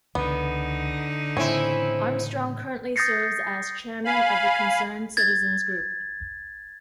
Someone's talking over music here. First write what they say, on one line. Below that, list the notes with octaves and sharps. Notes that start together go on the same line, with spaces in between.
Armstrong currently serves as chairman of The Concerned Citizens Group.
C#2 D3 E3 B3 D#4
A2 C#3 E3 C4 C#4 E4
D#6 G6 A6 A#6 C7 C#7
F5 G#5 B5
G#6 A6